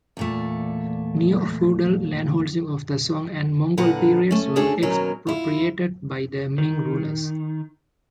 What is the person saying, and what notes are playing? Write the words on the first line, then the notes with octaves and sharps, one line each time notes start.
Neo-feudal landholdings of the Song and Mongol periods were expropriated by the Ming rulers.
E2 A#2 A3
A#2 D3 B4 F#5 A#5
A3 C#4
A3 C#4 D4 F#4 G#4 A4
D#2 B2 F#3 C#4 A#4
E4 F4
D#3